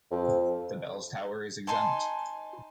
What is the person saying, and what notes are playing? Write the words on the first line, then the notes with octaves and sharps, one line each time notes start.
The bells tower is exempt.
F2
D#4 G#5 A5 C6